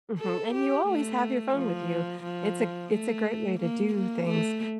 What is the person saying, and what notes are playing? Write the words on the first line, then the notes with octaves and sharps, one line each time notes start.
Mhm, and you always have your phone with you. It's a it's a great way to do things.
A4
G4
A3
F3
F3
A3
A#3
A#3
A3